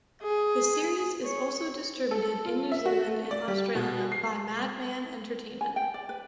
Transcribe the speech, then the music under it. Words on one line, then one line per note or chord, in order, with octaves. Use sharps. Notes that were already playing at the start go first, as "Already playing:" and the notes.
The series is also distributed in New Zealand and Australia by Madman Entertainment.
G#4
C#5
A4
F4
E5
F#4
A3
D5
G3
B2
C7
G#5
G5
D5
B4